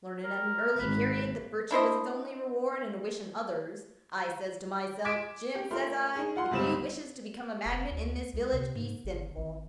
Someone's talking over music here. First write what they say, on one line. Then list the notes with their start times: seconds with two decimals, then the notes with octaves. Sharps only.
Learnin' at an early period that virtue was its only reward, an' a-wish-in' others, I says to myself: 'Jim,' says I, 'if you wishes to become a magnet in this village, be sinful.
0.24 A#4
0.79 G#1 B4
1.71 D4 E4 C5 D#5
5.05 D6 G#6 B6 D7 E7
5.55 G4
5.71 A3 F4 A#4 C6
6.16 D#4 G#4
6.35 F4 F#5 C6
6.51 G1 C#2 G3 C4 E7
7.65 F1
7.90 D2
8.33 C#2
8.53 C3
8.76 G#2
9.04 G1
9.37 G#1